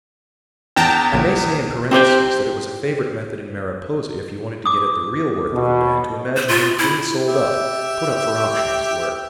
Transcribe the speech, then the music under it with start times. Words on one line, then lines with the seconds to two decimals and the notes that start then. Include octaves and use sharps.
I may say in parentheses that it was a favourite method in Mariposa if you wanted to get at the real worth of a man, to imagine him clean sold up, put up for auction, as it were.
0.76 E2 G5 A5 A#5
1.13 A#1
1.91 C4 G4 C5 G5
4.66 D6 D#6
5.53 B2
6.36 C5
6.48 F4
6.79 E4
7.27 G4 E5